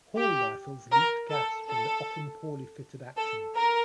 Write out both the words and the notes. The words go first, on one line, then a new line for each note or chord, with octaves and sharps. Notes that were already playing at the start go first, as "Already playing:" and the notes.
Hall rifles leaked gas from the often poorly fitted action.
G4
A#4
A4
A4
A4
A#4